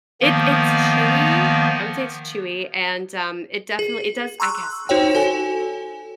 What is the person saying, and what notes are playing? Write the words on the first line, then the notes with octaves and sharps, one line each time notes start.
It it's chewy. I would say it's chewy, and, um, it definitely it does I guess it has
D#3 F3 A#3 B3
G#4
A#5 C6 C#6 E6 F#6
D#4 F#4 C5 C#5 G5
F#4 A4 G#5